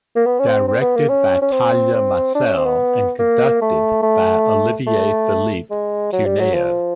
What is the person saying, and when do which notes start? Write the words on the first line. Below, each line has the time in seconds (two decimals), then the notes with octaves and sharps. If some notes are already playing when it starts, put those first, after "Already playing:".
Directed by Talya Masel and conducted by Ollivier-Philippe Cuneo.
0.16 A#3
0.26 B3
0.40 C#4
0.47 C4
0.68 C4
0.81 B3
0.96 A#3
1.09 C#4
1.42 C#4
1.52 C4
1.94 C4
2.35 D4
2.46 C#4
2.57 C4
2.66 B3
3.19 A#3
3.61 A3
4.02 A3
4.87 A3
5.71 G#3
6.13 F#3
6.25 G3
6.39 F#3
6.54 F3